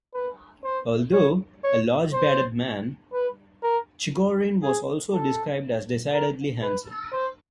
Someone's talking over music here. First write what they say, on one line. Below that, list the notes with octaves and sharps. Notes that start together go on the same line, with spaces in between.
Although a large bearded man, Chigorin was also described as 'decidedly handsome'.
B4
C5
C#5
C#5
C5
B4
A#4
G#4
A4
A#4
B4
C5